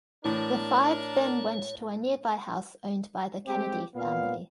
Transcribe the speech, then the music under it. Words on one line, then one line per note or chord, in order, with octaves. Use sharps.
The five then went to a nearby house owned by the Kennedy family.
A2 E3 D4 A#4 C#5
G#3 C4 G4
A#2 B3 F5